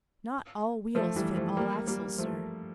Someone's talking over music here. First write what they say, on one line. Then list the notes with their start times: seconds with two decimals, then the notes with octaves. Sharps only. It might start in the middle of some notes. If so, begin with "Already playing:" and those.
"Not all wheels fit all axles, sir."
0.95 F3 A3
1.16 E3 G3
1.37 F3 A3
1.57 G3 A#3
1.88 G3 A#3
2.18 F3 A3